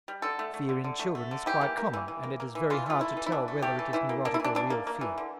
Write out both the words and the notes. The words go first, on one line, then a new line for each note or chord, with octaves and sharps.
Fear in children is quite common and it is very hard to tell whether it is neurotic or real fear.
G3
D3 A4
A3
A3
D3
D3
A3
A3
D3
E3 G4
A#3
A#3
E3
E3
A#3
A#3
E3
E3 F4
A3 F4
A3 E4
E3
E4
E3 D4
A3
A3 G4
E3
E3 E4
A#3
A#3 D4
E4
E3 D4
E3 D4
A#3
A#3
E3
D3